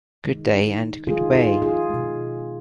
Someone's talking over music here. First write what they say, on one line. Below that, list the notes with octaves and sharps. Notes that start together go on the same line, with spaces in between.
Good day and good way.
D#3 G#3
D#3 G#3 F4 G#4
F4 G#4
F4 G#4
B2 G#3